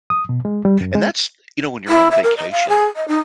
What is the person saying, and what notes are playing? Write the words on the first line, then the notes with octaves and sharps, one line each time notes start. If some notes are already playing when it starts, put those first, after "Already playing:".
And that's you know, when you're on vacation
D#6
B2
G#3
G3
F#2
G#3
E4
E5
A#4
D#5
F5
G#4
D#5
D#4